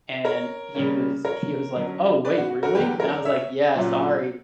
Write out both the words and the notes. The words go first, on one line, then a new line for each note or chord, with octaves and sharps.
And he was he was like, “Oh, wait really?” And I was like, “Yeah sorry,
A#4 C#5
C#3 G3 A#3 C#4
A#4 C#5
D3 F#3 C#4
B4 D5
F#4
F#4
F#4 A#4
E2 D3 F#3 G4 B4
A#4 C#5
C#5 E5
A#2 F#3 C#4